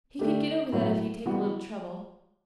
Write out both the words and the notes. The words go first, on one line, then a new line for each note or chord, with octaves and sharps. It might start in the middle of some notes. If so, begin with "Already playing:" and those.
He could get over that if he'd take a little trouble.
D3 A3 D4 G4
A2 F#3 B3 F#4 C#5
E3 G3 B3 F#4